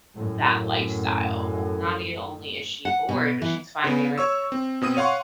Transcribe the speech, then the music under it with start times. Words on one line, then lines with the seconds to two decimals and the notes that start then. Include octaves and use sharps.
that lifestyle. Not e only is she bored, but she's finding like,
0.14 F#2 A2
2.85 F#5
3.09 B2
3.42 E3
3.84 C#3 B3
4.18 C#5 C#6 E6
4.52 C4
4.82 B2 C4 D#6 D#7
4.97 C#5 F5 F#5 C6 C#6